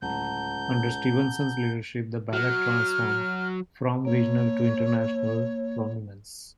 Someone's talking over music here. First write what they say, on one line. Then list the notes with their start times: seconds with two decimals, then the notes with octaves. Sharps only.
Under Stevenson's leadership, the ballet transformed "from regional to international prominence".
0.02 D1 C#2 F#5 A5 A#5 G6
2.33 F#3 F6
4.05 A#3 C#5